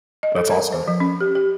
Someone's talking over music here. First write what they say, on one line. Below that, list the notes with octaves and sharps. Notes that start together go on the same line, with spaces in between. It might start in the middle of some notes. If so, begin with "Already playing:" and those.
That's awesome.
D#5
A4
A#4
C5
F3
C#4
G4
G4